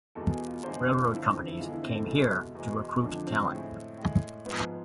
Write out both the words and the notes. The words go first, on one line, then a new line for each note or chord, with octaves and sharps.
Record companies came here to recruit talent.
E2 B2 G#3 A4
G#4
F4
E2 D3 G#3 C5
C5
F4
F2 D3 F3 E4
C4
C4
E4
E2 D3 G#3 F4
E4
C4
A4
C2 B2 G#3
E2 B2 G#3
F2 D3 F3 G#3 D4
C4
A2 G#3
A2 G#3
G#2 F3 G#3 B3